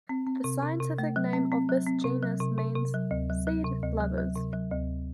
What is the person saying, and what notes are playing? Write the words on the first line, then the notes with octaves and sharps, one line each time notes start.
The scientific name of this genus means "seed-lovers".
C4
C4
C3
C3
C3
A3
F#3
C4
C4
F#3
C4
C3
F#3
C3
C3
C3
F#3
D2
F#3
F#3
C3
D2
F#3
F#3
C3
F#3
D2